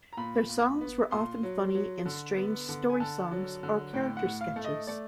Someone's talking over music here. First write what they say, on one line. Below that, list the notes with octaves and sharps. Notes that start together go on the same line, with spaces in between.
Their songs were often funny and strange story-songs or character sketches.
A#5
A#2 B5
A#2
B3
A#2 C6
F#3
F#3
D3
B3
D3
G#5
D3 A5
F#3
D3
A2 G5
F#5
A2
F5
A3
D#5
A3 D5